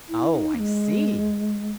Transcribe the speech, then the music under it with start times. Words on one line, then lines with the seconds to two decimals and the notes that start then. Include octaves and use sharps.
"Oh, I see."
0.09 E4
0.32 E4
0.36 D#4
0.55 A#3
0.59 G#3